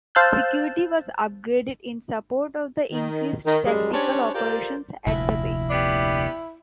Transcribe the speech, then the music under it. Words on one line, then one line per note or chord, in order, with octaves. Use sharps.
Security was upgraded in support of the increased tactical operations at the base.
C5 F5 A5 E6 F#6 G6
D#3
D#3
F#2 G3 G#3
C#4 D4 G4 C5 C#5
F4 G4 A4 A#4 C5 D5
F1 D2 A#2 E4
B3 D4 G4